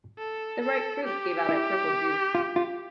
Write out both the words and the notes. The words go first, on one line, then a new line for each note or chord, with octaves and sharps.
The ripe fruit give out a purple juice.
A4
A4
G4
E4
F4
F4